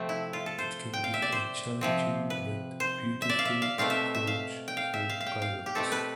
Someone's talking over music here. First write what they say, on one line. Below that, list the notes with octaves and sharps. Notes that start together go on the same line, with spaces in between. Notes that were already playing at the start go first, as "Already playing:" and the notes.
It can be a challenging but beautiful approach for pilots.
Already playing: C3 F3 A3 C4
E4
F4
A4
C5
G5
F5
E5
D5
C5
C3 F3 C4
B4
C5
E5
D5
F5
E5
F5
B2 A3 C4 F5
E5
E5
F5
G5
F5
E5
F5
F5
G5
F5
G4
B2 A3 C4 A4
B4